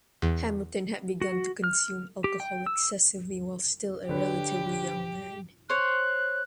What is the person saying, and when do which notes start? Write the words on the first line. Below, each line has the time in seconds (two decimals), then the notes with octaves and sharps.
Hamilton had begun to consume alcohol excessively while still a relatively young man.
0.22 E2
1.21 F#4
1.64 F6
2.24 G4
2.40 G5
2.66 E6
4.09 D3 G4 B4 C#5
5.70 C5 C#5 F#6